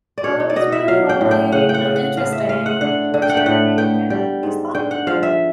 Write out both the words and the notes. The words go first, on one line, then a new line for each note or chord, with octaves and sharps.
Oh, it was really lovely and interesting sharing, uh, these thoughts with you.
D5
B2 C#5
C#5
D5
B2 D#5
E5
F#3 F5
G5
A2
G5
C#3 F#5
G5
F#5
C#3
F#5
A2 F5
E5
A3 F5
F#5
D3 F#5
D3
G5
F#5
G5
A2 F#5
B3 G5
G3 G5
G#2
D3 G5
F#5
F3 F5
E5